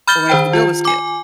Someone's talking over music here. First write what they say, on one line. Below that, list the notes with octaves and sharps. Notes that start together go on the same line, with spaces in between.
or whenever the bill is due.
B5 F6 G6 A6 G7
D#3 C5 G5
F4
G#5 D6